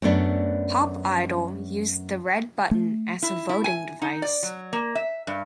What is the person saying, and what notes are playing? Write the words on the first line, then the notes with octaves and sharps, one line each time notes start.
"Pop Idol" used the red button as a voting device.
F#2 A3 B3 D4
A3
E4
E4
G#5
D#4
D5
F#3
A#3
E5
G2